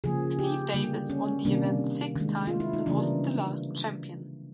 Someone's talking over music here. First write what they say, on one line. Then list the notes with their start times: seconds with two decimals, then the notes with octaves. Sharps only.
Steve Davis won the event six times and was the last champion.
0.04 C#3 F3 A#3 G#4
0.39 G4
0.74 D3 G3 A#3
1.10 C#4
1.45 C3 D#3 G3 A#3 D4
2.16 D#3 G#3
2.47 F4
2.60 E4
2.73 D#4
2.86 C#3 E3 G3 A#3 D4